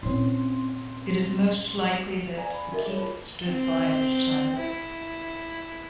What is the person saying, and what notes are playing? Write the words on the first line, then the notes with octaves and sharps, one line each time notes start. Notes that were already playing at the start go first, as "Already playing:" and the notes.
It is most likely that the keep stood by this time.
A#2 C4 C#4 E4 C6
D5 F5 G#5 A#5
B5
D#4 F#4 A#4 D#5 E5
G#4 C#5
E4 F4 C5 A5 B5
C4
E4